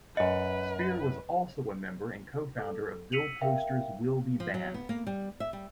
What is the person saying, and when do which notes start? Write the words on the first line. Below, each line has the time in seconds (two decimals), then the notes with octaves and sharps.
Spear was also a member and co-founder of Bill Posters Will Be Band.
0.17 F#2 B4 D#5 F#5
2.59 A4
3.12 E6 B6 C#7 D#7 F7 F#7
3.41 A#4 E5 F5 G5
4.40 F3
4.54 F#3
4.74 B3
4.89 A#3
5.07 G3
5.40 E5
5.53 G3